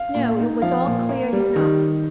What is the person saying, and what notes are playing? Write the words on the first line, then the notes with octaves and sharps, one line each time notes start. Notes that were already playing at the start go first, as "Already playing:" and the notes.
No, it was all clear enough.
Already playing: F5
A#2
D#4
F3 F5
A#2
A#3
G3
D#3